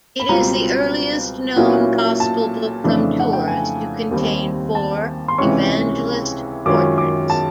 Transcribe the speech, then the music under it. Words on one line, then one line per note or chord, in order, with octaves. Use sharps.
It is the earliest known Gospel Book from Tours to contain four Evangelist portraits.
B5
C#2 B2 G3 C4 F4 A#5
A#2 F#3 A#3 C#4 E4
A5
F2 C#3 E3 A3 D4
F#5
G5
G#5
D#2 D#3 G3 C4
A5
C6
C#2 C3 E3 G#3 C#4 C#6
F#2 D#3 G#3 C#4 F4 D6
D6
A5